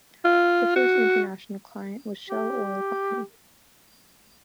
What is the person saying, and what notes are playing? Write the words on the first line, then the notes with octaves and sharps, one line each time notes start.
The first international client was Shell Oil Company.
F4
F#4
G4